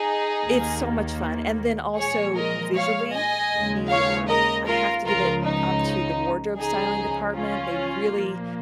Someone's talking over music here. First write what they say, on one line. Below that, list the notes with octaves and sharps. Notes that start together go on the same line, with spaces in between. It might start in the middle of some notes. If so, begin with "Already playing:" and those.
It's so much fun. And then also visually, the um, I have to give it up to the wardrobe styling department, they really,
Already playing: D#4 G#4
D#2 D#3 A#3
A#2 F3 G#3 G#4 C#5
A#4 D#5
C#5 F5
D#5 G#5
D#2 C#3 G#3
C#5 F5
A#4 D#5
F4 A#4
C#2 C#3 F3 G#3 F4 A#4
D#4
C#2 C#3 F3 D#4 G#4
C#4 F4
A#2 F3 A#3